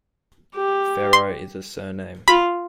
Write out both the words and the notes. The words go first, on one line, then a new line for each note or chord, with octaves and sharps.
Farrow is a surname.
G4
C6
F4 B5